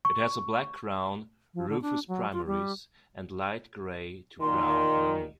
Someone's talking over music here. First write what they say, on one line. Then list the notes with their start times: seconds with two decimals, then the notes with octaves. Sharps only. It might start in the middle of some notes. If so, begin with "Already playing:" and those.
It has a black crown, rufous primaries, and light gray to brown underneath.
0.05 C#6
1.54 F3
1.69 D3
1.82 D4
2.08 F#3
2.33 F4
2.47 G3
4.41 A#2 D#3 C6